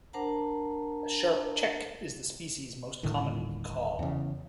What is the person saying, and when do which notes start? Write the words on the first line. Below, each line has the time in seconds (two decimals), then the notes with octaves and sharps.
A sharp "chek" is the species' most common call.
0.13 D4 A#4 C5 F#5 A5 A#5
3.03 D#1 A2 D3 D#3
3.99 E2 C#3